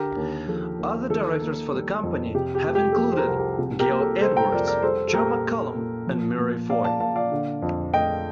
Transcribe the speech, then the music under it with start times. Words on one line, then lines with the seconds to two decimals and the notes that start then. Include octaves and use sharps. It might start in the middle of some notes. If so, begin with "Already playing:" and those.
Other directors for the company have included Gale Edwards, Joe McCallum, and Murray Foy.
Already playing: D3 G4 A#4
0.17 D#2
0.48 F3 A4
0.79 D#2
1.10 D#3 A4
1.41 A#3
1.72 G3
2.03 F2
2.34 C3 G4
2.55 G4
2.66 A3
2.75 G4
2.92 A4
2.96 F3 G4
3.12 C5
3.17 G4 A#4
3.28 C2
3.38 G4
3.59 C3
3.79 G4 A#4
3.89 A#3
4.00 A4
4.21 G3 A4 C5
4.36 G5 A#5
4.52 F2 A#4 D5
4.67 A#4 D5
4.83 G3 A4 C5
5.08 A4
5.13 A#2 G4 A#4
5.45 A#3
5.76 A#2
6.07 F3
6.38 A#2
6.69 A#3 D5 F5
6.84 F5 A5
7.00 A#2 F5 A5
7.16 D5 F5
7.32 D3
7.62 F2
7.94 A3 D#5 G5